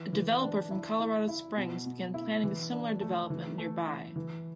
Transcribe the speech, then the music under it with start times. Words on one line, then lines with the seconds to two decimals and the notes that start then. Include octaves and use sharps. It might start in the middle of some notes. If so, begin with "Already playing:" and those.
A developer from Colorado Springs began planning a similar development nearby.
Already playing: E3
0.13 E3
0.42 D4
0.71 E4
0.99 E4
1.28 E4
1.57 B2
1.86 B2
2.14 E4
2.43 E3
2.72 D4
3.01 A3
3.30 E3
3.58 A3
3.87 E4
4.16 E3